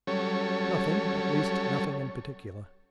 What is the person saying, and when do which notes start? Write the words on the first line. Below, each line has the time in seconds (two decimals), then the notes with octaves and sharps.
'Nothing, at least nothing in particular.
0.07 F#3 G3 C#4 A4 C#5